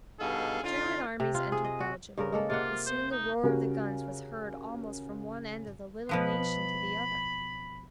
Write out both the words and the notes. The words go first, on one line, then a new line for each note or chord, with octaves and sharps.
The German armies entered Belgium, and soon the roar of the guns was heard almost from one end of the little nation to the other.
G2 B2 D#4 G#4 A4 F5
D3 C#4 D#4 F4
C3
F4
G#4
D#5
F#4
G2 C#3 A#4
G#3 A#3 A4
C3 A#3 F4 F#5
C5
D#4
C#3 F#4 G4 A#4
B2 F3 B3 B5